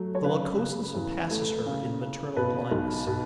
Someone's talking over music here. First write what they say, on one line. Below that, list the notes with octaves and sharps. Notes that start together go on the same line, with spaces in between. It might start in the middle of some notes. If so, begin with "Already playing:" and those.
The Lycosa surpasses her in maternal blindness.
Already playing: F#3 A3
C#5
C#3 B4
C#3
E2
A3
C#3
C#3
B2 B4
B1
B2